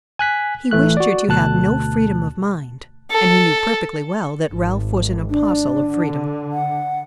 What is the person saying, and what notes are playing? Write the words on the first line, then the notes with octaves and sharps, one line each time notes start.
He wished her to have no freedom of mind, and he knew perfectly well that Ralph was an apostle of freedom.
G#5 F#6 B6
A1 E3 A3 F#6
F#4 D5
D2 B2 A5 F#6
A4
G#1
D4
D3
F#5